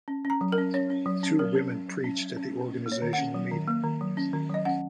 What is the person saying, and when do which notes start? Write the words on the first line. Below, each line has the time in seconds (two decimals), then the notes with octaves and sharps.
Two women preached at the organizational meeting.
0.08 C#4
0.25 C#4
0.30 A#5
0.41 F#3
0.52 A#4
0.58 C#4
0.74 C#4 C#5
0.90 C#4
1.06 F#3
1.23 C#4
1.39 F#3 A#4
1.55 C#4
1.72 C#4
1.88 F#3
2.04 C#4
2.20 F#3
2.37 C#4
2.53 C#4
2.70 C#4
2.86 A#3
2.92 C#5
3.02 D#3
3.13 F#5
3.18 C#4
3.34 F#3
3.51 D#3
3.68 A#3
3.84 D#3
4.01 F#3
4.17 C#4
4.33 D#3
4.49 F#3 D#5
4.65 C#4 F#5